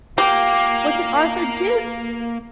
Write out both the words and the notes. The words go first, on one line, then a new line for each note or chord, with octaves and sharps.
What did Arthur do?
A#3 F4 G4 A#4 F5